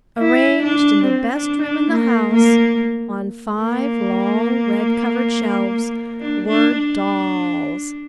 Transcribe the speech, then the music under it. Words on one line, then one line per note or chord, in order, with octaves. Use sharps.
Arranged in the best room in the house, on five long red-covered shelves, were dolls.
E4
D4
C4
D4
D4
A#3
A#3
A#3
D4
D4
D4